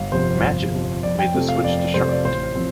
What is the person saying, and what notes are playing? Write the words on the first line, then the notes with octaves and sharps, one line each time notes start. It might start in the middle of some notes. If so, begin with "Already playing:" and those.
Matchett made the switch to Charlotte.
Already playing: G1 F5
F2 C3 F3 C5
G1
F2 C3 F3
F2 D5
G5
C3 F3 A3 C4
F5
F2 D5
D5
C3 F3 A3 C4 C5
D5
A1 C5
F3 C4